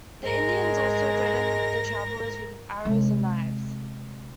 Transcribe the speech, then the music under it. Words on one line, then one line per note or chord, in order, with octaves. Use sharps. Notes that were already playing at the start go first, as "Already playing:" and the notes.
The Indians also threatened the travelers with arrows and knives.
G#2 G#3 A#4 A#6
C3 G#3